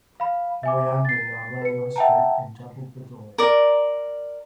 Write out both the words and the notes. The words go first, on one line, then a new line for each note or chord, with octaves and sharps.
Four young men are running on a street and jumping for joy.
F5 B5
E5 G#5 D6
A6 C7
B4 C#7
E5 F#5 G5 A5 A#5
A#4 D5